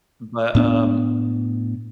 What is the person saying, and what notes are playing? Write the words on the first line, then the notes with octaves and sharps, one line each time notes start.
But, um,
A2 B3 D4